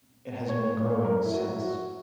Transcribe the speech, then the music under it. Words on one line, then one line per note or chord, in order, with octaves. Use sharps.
It has been growing since.
C#5
A#4
E4
F#4
E4
F#4